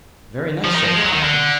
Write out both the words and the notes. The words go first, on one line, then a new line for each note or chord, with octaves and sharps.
"Very nice," said the Doctor.
F3
D#3
F3
G#3
F3
F#3
D#3
D3